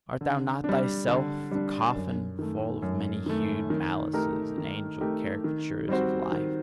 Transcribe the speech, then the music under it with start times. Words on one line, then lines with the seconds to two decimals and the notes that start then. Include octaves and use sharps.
Art thou not thyself the coffin full of many-hued malices and angel-caricatures of life?
0.21 D3
0.64 G3 D4
1.08 D3
1.51 G3 D4
1.95 F#2
2.39 D#3 A3
2.82 F#2
3.26 D#3 A3
3.70 D#3
4.13 A3 D#4 G4 A#4
4.58 D#3
5.01 A3 D#4 G4 A#4
5.44 D#3
5.89 G3 C4 F#4 C5
6.32 D#3